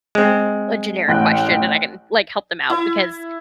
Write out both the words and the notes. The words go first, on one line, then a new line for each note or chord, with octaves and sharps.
a generic question, and I can, like, help them out because,
G#3 C4
A1 G5 F#6
E4